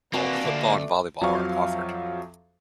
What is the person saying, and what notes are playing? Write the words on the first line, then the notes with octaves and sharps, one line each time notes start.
In fall, football and volleyball are offered.
A#3 C4 D4 F#4 B4 E5 G#5 A#5
D2 A3 D5 A#5 C6
F2 F3 F#3 E5 F5 C#6